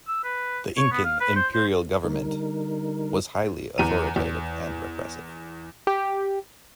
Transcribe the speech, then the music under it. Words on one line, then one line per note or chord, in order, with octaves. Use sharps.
The Incan imperial government was highly authoritative and repressive.
E6
B4
C#5
B3
F5
B4
C5
C5
D3 G3 D#4 A#4
E2 A#5 D#7
E2
G4